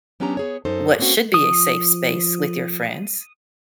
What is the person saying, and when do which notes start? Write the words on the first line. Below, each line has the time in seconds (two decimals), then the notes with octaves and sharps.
what should be a safe space with your friends,
0.20 F#3 B3 C#4 D4 G4 A#5
0.37 B3 G#4 C#5
0.65 F#2 D#4 A4 C5
0.99 A#3 C4 C#4 E4 F#4
1.34 F3 D#6